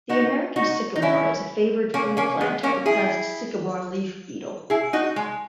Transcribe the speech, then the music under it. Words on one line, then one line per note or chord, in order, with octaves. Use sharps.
The American sycamore is a favored food plant of the pest sycamore leaf beetle.
D#4 F#4
D#4 F#4
D#4
C#4 E4
A#3 C#4
A#3 C#4
G#3 B3
A#3 C#4
E4 G#4
E4 G#4
D#4 F#4
G#3